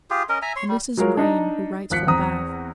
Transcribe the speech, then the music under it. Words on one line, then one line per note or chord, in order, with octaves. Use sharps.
"A Mrs. Vrain, who writes from Bath."
F4 G4 G#4
C#4 A#4 D#5
E5 G#5 A#5
C#5 C6
G3
F#3 G#3 F4 A#4 C#5
D4 D#4 D#5 A#5
G#1 F3 F#6 B6 C#7
E2 C4 A#5 D#6